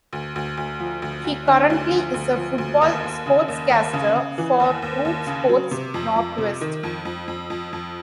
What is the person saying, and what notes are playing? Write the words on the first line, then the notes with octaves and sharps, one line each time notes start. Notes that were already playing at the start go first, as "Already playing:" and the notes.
He currently is a football sportscaster for Root Sports Northwest.
D2
D2
D2
F3
D2
D2
D3
D2
F3
D2
F3
D2
D#2
D#2
C#3
D#2
D#2
C#3
C#3
E3
D#2
D#2
D#2
C#3
F#3
C3
F2
F2
C3
D#3
F2
F2
F2
F2
F2